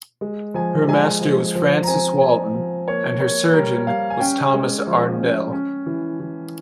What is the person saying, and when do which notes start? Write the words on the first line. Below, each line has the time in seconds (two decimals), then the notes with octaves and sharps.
Her master was Francis Walton and her surgeon was Thomas Arndell.
0.21 G#3
0.54 F3 G#5
0.88 G#3 G#5
1.21 F3
1.55 F3
1.84 A#5
1.87 C4 G#5
2.21 C4 G#5
2.55 F3
2.87 A#3 C#5
3.20 A#3 C#5
3.53 G3 A#4
3.87 G3 F5
4.10 G#5
4.20 C#4 G5
4.53 G#3
4.87 F3
5.19 C#4
5.52 C#4
5.86 E3
6.20 E3